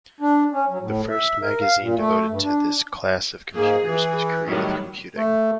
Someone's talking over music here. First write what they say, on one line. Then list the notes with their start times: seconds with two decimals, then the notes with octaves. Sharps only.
The first magazine devoted to this class of computers was Creative Computing.
0.21 D4
0.52 C#4
0.69 F#3
0.81 A2
1.10 E5
1.42 A#4
1.61 F5
1.80 A#2
1.97 A3
2.29 G2
2.43 D4
3.56 G#2 A#3 G#4
3.85 E3
4.46 A2 D#3 F#3 G3
5.17 A3